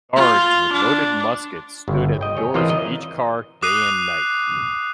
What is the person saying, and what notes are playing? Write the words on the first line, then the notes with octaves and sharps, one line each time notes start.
Guards with loaded muskets stood at the doors of each car day and night.
F4
D4
G1 C#3
D#5 G5
G#4 C#5
E3 C4 F4 A#4 C5 D#5
D#5
D6 D#6 F#6 C7 D#7